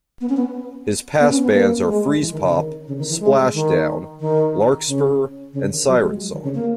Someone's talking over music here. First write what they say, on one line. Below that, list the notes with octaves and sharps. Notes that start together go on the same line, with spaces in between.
His past bands are Freezepop, Splashdown, Larkspur, and Sirensong.
B3
C#4
B3
B3
C#4
B3
A#3
G#3
E3
D#3
C#3
D#3
C#3
D#3
E3
G#3
D#3
D#3
C#3
C#3
D#3
F#3
G#3
F#3
D#3
C#3
A#3